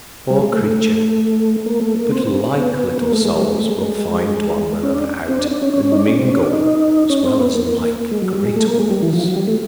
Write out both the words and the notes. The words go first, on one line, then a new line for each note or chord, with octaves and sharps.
Poor creature!--But LIKE little souls will find one another out, and mingle, as well as LIKE great ones.
G3
G#3
A3
A3
A#3
A3
A#3
C4
C4
B3
A#3
A3
G#3
G3
G#3
A3
G#3
G#3
C#4
D4
C4
D4
D4
C#4
C#4
C#4
D#4
D4
C#4
C4
C#4
D4
D#4
C#4
C4
B3
A#3
G#3
F#3
G3
G#3
A3
A#3
G#3
G3
E3
F3
F#3
G3
A3